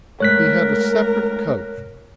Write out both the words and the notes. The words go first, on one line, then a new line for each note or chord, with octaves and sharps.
He had a separate coach.
G#3 A3 A#4 C#5 F#6 B6